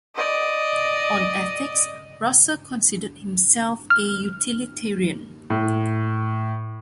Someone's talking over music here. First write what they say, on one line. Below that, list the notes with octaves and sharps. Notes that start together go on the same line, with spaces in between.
On ethics, Russell considered himself a utilitarian.
D5 D#5
F6
A2